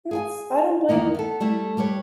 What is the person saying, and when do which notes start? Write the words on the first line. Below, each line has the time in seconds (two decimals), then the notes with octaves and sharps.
That's I don't blame
0.11 G#4 G5 G#5
0.89 E2 D#3 A#3 B3
1.14 B3 A4
1.40 G3 A3 E4 A4
1.77 G3 G4 B4 C#5